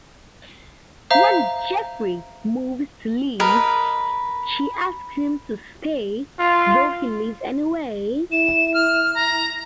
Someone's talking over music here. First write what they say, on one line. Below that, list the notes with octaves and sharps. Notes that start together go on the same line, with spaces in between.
When Jeffrey moves to leave, she asks him to stay, though he leaves anyway.
C5 E5 F5 A#5
A#4 B4 D#5
F4
E4 E7
F6
A#5